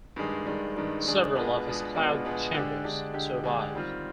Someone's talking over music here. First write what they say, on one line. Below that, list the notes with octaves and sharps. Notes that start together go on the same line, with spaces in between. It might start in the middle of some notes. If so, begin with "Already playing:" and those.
Several of his cloud chambers survive.
G2 D#3 G#3 D4
G2 D#3 G#3 D4
G2 D#3 G#3 D4
G2 D#3 G#3 D4
B2 G#3 B3 D4 F4
B2 G#3 B3 D4 F4
B2 G#3 B3 D4 F4
B2 G#3 B3 D4 F4
D3 G#3 D4 G4
D3 G#3 D4 G4
D3 G#3 D4 G4
D3 G#3 D4 G4
D#3 G3 C4 F4